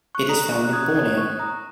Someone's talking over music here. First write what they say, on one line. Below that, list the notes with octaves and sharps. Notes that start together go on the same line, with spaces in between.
It is found in Borneo.
C#6 F#6
A#5 D#6
C#6 F#6
F#6
C#4 G#4 D#6 G#6
F#6
D#6 G#6
C#6 F#6
A#5 D#6